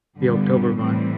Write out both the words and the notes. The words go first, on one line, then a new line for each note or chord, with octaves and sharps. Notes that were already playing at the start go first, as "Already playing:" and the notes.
the October month,
G2 D3 G3 B3
A2 E3 G3 C4